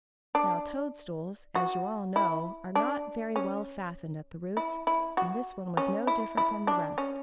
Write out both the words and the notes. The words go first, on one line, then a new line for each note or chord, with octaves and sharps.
Now toadstools, as you all know, are not very well fastened at the roots, and this one was no different from the rest.
D4
F#4
E4
D4
C#4
E4
E4
F#4
C#4
E4
E4
D4
C#4